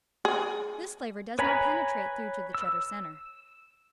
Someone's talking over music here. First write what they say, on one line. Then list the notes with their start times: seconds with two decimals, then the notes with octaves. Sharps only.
This flavor does not penetrate through to the Cheddar center.
0.25 G#4
1.39 B4 C#5 G#5 A#5 B5
2.55 E6